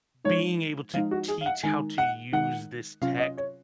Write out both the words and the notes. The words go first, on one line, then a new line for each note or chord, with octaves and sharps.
being able to teach how to use this tech
F3 G#3 D#4 C#5
F3 G#3 D#4 F5
F#4
G#4
F5
F#5
D#3 G#3 D#4 G#5
F#5
D#3 G#3 D#4 F#5
C3 F#3 C#4 F4 F5
D#5
C#5